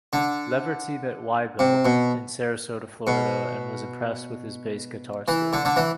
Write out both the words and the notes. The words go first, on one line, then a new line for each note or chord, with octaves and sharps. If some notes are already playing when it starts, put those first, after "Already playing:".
Leverty met Waibel in Sarasota, Florida and was impressed with his bass guitar skills.
D3
C3
B2
B2
E3
D3
D3
E3